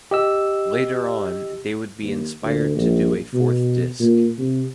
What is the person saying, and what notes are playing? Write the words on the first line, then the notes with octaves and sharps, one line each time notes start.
Later on, they would be inspired to do a fourth disc.
G4 D#5 E6
D#2
D2
A#1
B2
A#2
C3